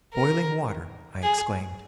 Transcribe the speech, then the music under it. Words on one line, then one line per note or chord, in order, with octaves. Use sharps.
"Boiling water?" I exclaimed.
A#4
G#4